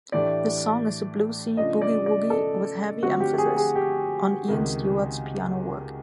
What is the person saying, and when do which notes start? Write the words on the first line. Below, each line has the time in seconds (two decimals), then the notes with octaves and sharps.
The song is a bluesy boogie-woogie, with heavy emphasis on Ian Stewart's piano work.
0.12 A2 E3 A3 D4 G4 D5
1.57 C#3 F3 A3 D4 F4 D#5
1.82 D5
2.06 D5
2.30 A4
3.03 D3 F3 A3 C4 F4 F#4
3.20 G4
3.38 G#4
3.57 G#4
3.76 G4
4.48 C#2 C3 D#3